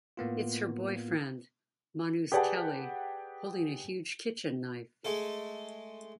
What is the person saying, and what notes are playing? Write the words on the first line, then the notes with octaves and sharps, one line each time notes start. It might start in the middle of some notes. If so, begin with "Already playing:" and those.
It's her boyfriend, Manus Kelley, holding a huge kitchen knife.
A2 A#3 B3 F4
G4 G#4 B4 D5 F#5 A5
G#3 A3 A4